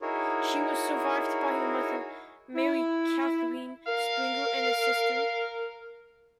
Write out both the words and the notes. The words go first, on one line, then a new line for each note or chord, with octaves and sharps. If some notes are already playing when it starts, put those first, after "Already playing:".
She was survived by her mother, Mary Cathryn Springer, and a sister.
D#4 E4 F#4 G#4 A#4 C#5
E4
A#4 F5